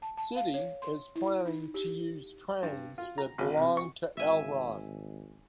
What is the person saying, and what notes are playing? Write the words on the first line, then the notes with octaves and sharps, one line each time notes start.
City is planning to use trains that belong to Elron.
A5
A5
F5
C#5
C6
E4
D#4
G4
G2
F4
A#5
G#1
C3
C#6
G#1 E5 G#5